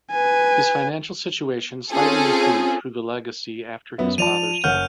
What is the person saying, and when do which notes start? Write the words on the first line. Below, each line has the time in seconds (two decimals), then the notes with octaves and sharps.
His financial situation slightly improved through the legacy after his father's death.
0.11 B4 G#5
1.91 C4 C#4 F4 G#4 A4
3.98 F#2 B3 E5
4.18 F3 D5 A5 D#7 F7
4.64 F#1 C#4 F#5 F6 G6